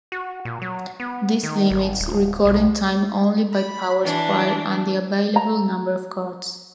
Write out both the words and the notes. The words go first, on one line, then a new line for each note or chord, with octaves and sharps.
This limits recording time only by power supply and the available number of cards.
F#4
A#2
F#3
B3
D#3
G#1
D1
B1
B5
E3 D4
A#5